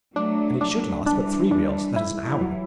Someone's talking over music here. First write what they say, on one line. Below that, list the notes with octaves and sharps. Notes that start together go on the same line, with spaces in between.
And it should last but three reels, that is, an hour.
F#3 A3 D4
D4
E3 G3 D4
D4
E4
E3 G3
F#3